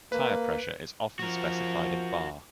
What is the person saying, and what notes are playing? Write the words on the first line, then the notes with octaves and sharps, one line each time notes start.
Tire pressure is often specified in bar.
A#3 B4
F3 F#4 A#4